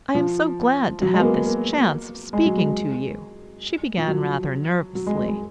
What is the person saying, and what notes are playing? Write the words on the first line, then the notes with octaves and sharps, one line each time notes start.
"I am so glad to have this chance of speaking to you," she began rather nervously.
F3
F#3
G#3
B3
A#3
B3
A#3
G#3
F#3
G#3
F3
F#3
F#3
G#3
G#3
G#3